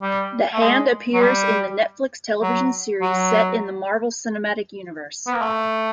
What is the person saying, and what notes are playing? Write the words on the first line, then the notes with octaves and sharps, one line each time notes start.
The Hand appears in the Netflix television series set in the Marvel Cinematic Universe.
G3
A3
G#3
F#3
G3
F#3
F#3
B3
A#3
A3